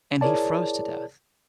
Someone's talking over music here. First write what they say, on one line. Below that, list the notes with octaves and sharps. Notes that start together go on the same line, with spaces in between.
and he froze to death.
E4 G#4 A#4 C#5 D5 A5